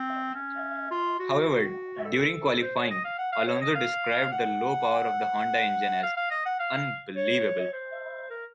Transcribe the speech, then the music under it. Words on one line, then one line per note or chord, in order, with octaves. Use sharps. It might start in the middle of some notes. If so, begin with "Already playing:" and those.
However, during qualifying Alonso described the low power of the Honda engine as "unbelievable".
Already playing: C4
C#4
F4
F#4
F#4
A4
C5
C#5
D#5
F5
F#5
F5
C#5
D#5
F5
F#5
F5
F5
D#5
F#5
F5
C#5
C5
A#4